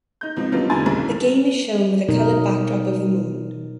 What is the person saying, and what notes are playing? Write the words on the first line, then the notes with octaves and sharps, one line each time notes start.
The game is shown with a colored backdrop of the moon.
D#4 G6
C#2 F3 C4 D#4
F#3 G3 B3 C#4 D4 F4
F1 D3 D#3 C4 G#5 A6
B1 E2 G2 C#3
B2 F#3 B3 D#4 A#4